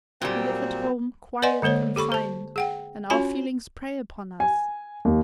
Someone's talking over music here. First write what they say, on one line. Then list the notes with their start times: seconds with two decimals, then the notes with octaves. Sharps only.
We live at home, quiet, confined, and our feelings prey upon us.
0.22 A#2 F#3 G3 A#3 C4
1.42 B4 D5 D#5 F#5 G#5 C6
1.62 D3 G#3 A#3 C5 C#5
1.96 G4 A4 B5 C#6
2.12 C5 A5
2.56 G#4 F#5 G5
3.10 C#4 F4 F#4 C#5 G#5 B5
4.40 G#5
5.05 D#2